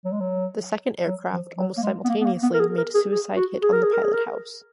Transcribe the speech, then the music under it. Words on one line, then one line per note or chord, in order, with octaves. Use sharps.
The second aircraft, almost simultaneously, made a suicide hit on the pilothouse.
F#3
G#3
F#3
F#3
F3
F#3
A#3
G#3
B3
A#3
B3
A#3
B3
A#4
G#4
A#4
G#4
G#4
F#4
G#4
A#4
G#4
A#4
G#4
A#4